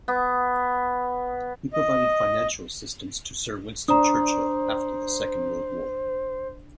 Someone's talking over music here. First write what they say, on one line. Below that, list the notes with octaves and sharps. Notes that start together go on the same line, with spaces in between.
He provided financial assistance to Sir Winston Churchill after the Second World War.
B3
D#5
D4 C5 A#5 D#6